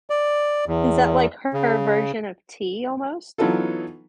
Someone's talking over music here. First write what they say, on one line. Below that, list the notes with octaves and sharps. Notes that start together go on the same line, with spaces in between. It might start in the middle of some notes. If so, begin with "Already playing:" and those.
Is that like her version of tea almost?
D5
E2
C#3
E3 F#3 B3 D#4 F4 A4